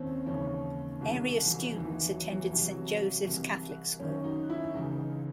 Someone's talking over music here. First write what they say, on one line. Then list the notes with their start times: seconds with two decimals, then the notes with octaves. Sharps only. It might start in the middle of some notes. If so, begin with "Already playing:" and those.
Area students attended Saint Joseph's Catholic School.
Already playing: D#2 D#3 C4 C#4
0.26 D#2 C#3 E3 C#4
1.01 C2 C3 D#3
1.46 E3
1.51 F#3
1.76 D#2 D#3 E3
1.94 E3
2.13 F#3
2.32 E3
2.51 C2 C3 E3 F#3
3.24 C2 C3 E3
4.00 F#2 D#3 C#4
4.24 D#4
4.50 E4
4.74 C#2 C#3 E3 D#4